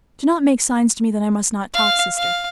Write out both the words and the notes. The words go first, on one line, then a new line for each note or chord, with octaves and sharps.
Do not make signs to me that I must not talk, sister!
F5
F5